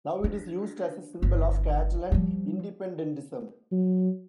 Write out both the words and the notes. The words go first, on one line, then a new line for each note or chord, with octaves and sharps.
Now it is used as a symbol of Catalan independentism.
D4
G1 E3
F3 G3
F#3